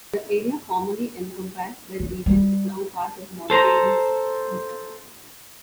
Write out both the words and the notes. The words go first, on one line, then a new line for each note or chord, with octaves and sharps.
The area formerly encompassed by the region is now part of Montagnes District.
D#3
G3
A4 C5 A#5